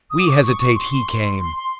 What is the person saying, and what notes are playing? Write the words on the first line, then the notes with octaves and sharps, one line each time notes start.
We hesitated, he came!
D#6
D6
C#6
C#6
C#6
C6
C6
C6